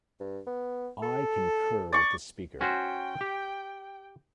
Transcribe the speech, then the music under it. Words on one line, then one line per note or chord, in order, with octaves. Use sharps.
I concur with the speaker.
G2
B3
A4
D5 C#6
C#4 F#4 C5 G5
G4